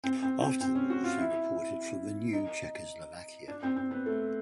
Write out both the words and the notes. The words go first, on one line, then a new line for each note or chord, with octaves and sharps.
After the war she reported from the new Czechoslovakia.
C4
C4
C4
C4
C#4
F#4
F4
E4
D#4
D4
C4
C4
B3
A3